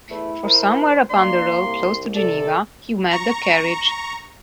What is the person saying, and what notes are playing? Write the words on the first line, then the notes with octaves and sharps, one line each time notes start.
For somewhere upon the road close to Geneva he met the carriage.
E2 A3 E4
A#4 C5
A#3 D4 C6
C2
C3 A4 D5
A#5 C#6